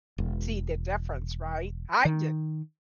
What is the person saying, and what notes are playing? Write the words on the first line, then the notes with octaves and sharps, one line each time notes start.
see the difference, right? I didn't.
E1
D#3